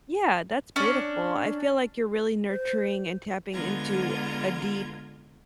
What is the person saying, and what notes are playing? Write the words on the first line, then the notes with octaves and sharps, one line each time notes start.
Yeah, that's beautiful. I feel like you're really nurturing and tapping into a deep,
C#4 D4
C5
D3 G#3 B3 F4 A#5 G#6